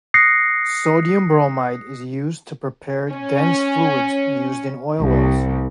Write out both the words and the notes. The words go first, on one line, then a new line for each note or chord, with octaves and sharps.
Sodium bromide is used to prepare dense fluids used in oil wells.
D#6 F#6 A#6 C7 C#7
C#4
C2